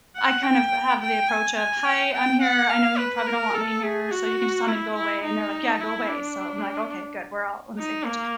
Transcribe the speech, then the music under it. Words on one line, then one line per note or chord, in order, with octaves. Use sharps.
I kind of have the approach of, "Hi, I'm here, I know you probably don't want me here, so you can just tell me to go away," and they're, like, "Yeah, go away." So, I'm, like, "Okay, good," we're all on the same page,
F#5
G5
G5
G#5
G#5
G5
G5
F#5
F5
B4
A#4
A4
G#4
F#4
E4
E4
D#4
E4
D4
D#4
A#3